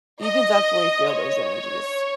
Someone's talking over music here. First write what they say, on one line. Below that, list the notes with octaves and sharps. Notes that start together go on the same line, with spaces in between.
you can definitely feel those energies.
D#5
C#5